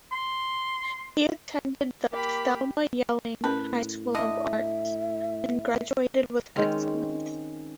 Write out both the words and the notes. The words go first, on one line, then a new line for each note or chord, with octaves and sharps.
He attended the "Thelma Yellin" High school of arts, and graduated with excellence.
C6
A#3 G4 B5
A2 C#4 A#4 B4
D3 D#5 E5
D#3 G#3 C4 C#4